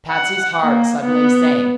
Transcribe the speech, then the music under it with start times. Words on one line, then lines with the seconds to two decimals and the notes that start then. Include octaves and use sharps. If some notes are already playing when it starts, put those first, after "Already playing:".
Patsy's heart suddenly sank.
0.11 F#5
0.61 A#3
1.00 B3